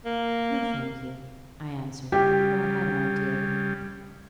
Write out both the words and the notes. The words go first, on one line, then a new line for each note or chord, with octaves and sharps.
'No, thank you,' I answered, for I had an idea.
A#3
C#3 G3 G4